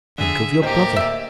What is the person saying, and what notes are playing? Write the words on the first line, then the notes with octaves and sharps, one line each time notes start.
Think of your brother!
D3 G#4 E5
D1 A#3 G4 C5 D#5 G5
D5 E5